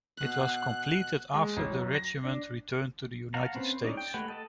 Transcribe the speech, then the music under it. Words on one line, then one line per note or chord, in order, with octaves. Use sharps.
It was completed after the regiment returned to the United States.
B2 B5 F#6
G#3
A1
F#3
A#6
D4
F5 F#5 A5 A#5
C4 C#4 B4 C5
G#3 C#4 D#4 D5
G5
G#3 A3 G4 B4 F#5
A4 D#5 A5